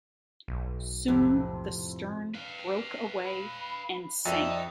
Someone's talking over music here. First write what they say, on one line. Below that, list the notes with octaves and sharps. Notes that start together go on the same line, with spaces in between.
Soon the stern broke away and sank.
B1
F2 A2 C3
B4 F5
B5
F2 D#4 D5 E5